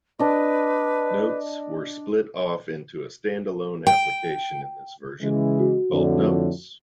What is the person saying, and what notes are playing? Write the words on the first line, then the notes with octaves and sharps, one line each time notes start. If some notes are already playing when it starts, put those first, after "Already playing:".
Notes were split off into a stand-alone application in this version, called Notes.
D4 B4 D#5
G5
C#3 E3 G#3
F#4
F2 A2 D3